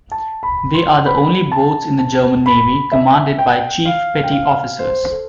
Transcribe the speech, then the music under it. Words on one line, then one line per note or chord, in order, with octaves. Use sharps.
They are the only boats in the German Navy commanded by Chief Petty Officers.
A5
B5
C6
B5
A5
A5
B5
E5
G5
F5
G5
F5
C5
A4